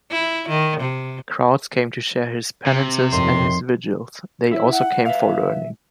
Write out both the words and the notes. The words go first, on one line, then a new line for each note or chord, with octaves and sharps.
Crowds came to share his penances and his vigils; they also came for learning.
E4
D#3
C3
C3
F2 A2 D#3 C6
E4 E5
F#5
B4 E5 F5